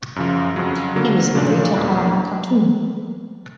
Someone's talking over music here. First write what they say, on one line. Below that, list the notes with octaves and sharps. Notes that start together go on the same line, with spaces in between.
He was married to Halima Khatun.
F#2 C#3 F3
F2 C#3 F#3
D3 F#3 A#3
A#2 F3 A3 D4
E2 B2 G3 A#3 D4